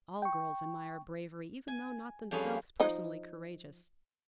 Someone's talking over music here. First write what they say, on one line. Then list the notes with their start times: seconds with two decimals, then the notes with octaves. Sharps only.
All girls admire bravery, even though not themselves personally courageous.
0.22 G5 C#6
1.68 G#5
2.31 F2 G3 C#4 G#4 F5
2.80 F3 D#4